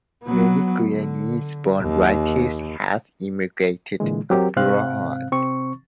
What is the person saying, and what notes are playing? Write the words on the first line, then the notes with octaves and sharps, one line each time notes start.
Many Guyanese-born writers have emigrated abroad.
F#3 B3
D3
D#2
A#2 D3 E3 G#3
F#3 C4 G4 A#4
G#2 C3 C4 F5 F#6
C3 C4 C#6